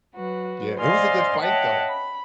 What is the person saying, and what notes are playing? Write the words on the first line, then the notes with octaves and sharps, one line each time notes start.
Yeah, it was a good fight, though,
F#3 F#4 B4
C5 D5 D#5 F5 G#5 C6
C#5 D#5 E5 F#5 G5 A5
B5